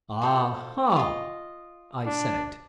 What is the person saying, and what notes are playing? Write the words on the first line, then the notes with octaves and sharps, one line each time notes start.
"A-ha!" I said.
F4 A4 C5
F4 D#5
D4